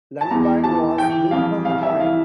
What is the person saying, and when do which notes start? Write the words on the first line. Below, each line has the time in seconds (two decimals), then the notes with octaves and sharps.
Lundbye, was Vilhelm Kyhn.
0.21 A5
0.30 E2 A#5
0.64 E3 A5
0.98 E3 G5
1.31 F2 F5
1.65 C2 F5
1.83 E5
1.99 E3 F5